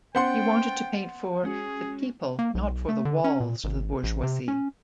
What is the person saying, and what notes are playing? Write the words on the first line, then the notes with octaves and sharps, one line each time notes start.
He wanted to paint for "the people, not for the walls of the bourgeoisie".
B3 C#4 C5 F#5 G5 C6 A6
G#3 C#4 F#4 G#4
A#3
B1
A3
D3
C#4
A#2
G#1
A1
C3
C#4